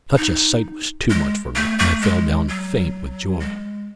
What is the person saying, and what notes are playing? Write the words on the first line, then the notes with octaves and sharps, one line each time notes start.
Such a sight was too much for me, and I fell down faint with joy.
D#4
G#3
A3
A3
G#3
F#3
G#3